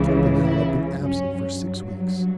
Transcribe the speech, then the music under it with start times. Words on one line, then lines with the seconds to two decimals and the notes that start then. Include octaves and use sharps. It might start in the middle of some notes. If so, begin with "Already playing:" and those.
Torpenhow had been absent for six weeks.
Already playing: C#2 C#3 E3
0.46 E4
1.03 G2 F#3 C#4